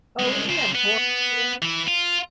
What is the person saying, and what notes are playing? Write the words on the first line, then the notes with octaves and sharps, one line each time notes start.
Oh, isn't that horrible?
C2 G#3
C#3 C5
B3
E3 E4
F4